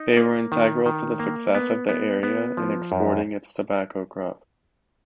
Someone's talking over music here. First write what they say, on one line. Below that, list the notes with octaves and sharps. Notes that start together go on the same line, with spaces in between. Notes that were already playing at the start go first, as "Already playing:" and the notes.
They were integral to the success of the area in exporting its tobacco crop.
Already playing: D#4
A#3
D#3
D#3
A#3
B3
B3
B3
F3
F#2